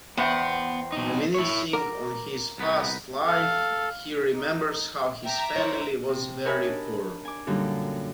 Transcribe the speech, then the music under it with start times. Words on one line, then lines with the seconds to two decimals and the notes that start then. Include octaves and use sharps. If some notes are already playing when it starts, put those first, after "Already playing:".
Reminiscing on his past life, he remembers how his family was very poor.
0.17 E2 B3 C4 F#5
0.92 B2 D#4
1.34 E4 C#5
1.73 A#4 A#5 D6
2.58 C2 B3 D#4
3.27 A4 F5
4.31 D#4
5.24 E5 G5 A#5 D6
5.56 E4 C5 C#5
6.09 C3
6.45 A#4 C#5 D#5 E5 G#5 B5
6.63 D4 D#4
7.25 G#5 D6
7.47 F#2 A#2 D3 G3 D#4